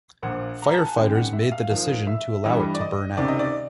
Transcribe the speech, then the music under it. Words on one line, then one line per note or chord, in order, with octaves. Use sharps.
Firefighters made the decision to allow it to burn out.
A#1 A#2 F3 A#3 F#5
A#5
A5
G#5
G#1 F#2 D#3 G#3 G5
F#5
E5
F5
G#2 F3 A#3 F5
E5
G2 E3 G3 D#5
D5
D#5
C#2 C3 D#3 D5
D#5
D5